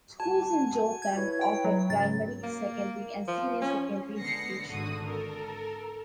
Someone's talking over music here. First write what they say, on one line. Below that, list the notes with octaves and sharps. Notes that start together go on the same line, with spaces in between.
Schools in Jorethang offer primary, secondary and senior secondary education.
F#4 G#5 A5
G#6
E4 B4 C#5
G5
F#3
G#2 C#3 F#3 A6
A#3
F3
C#4
D3 G#3 B3 A#6 C7 C#7
G#1 D3 F#4 D#6
A4 A#4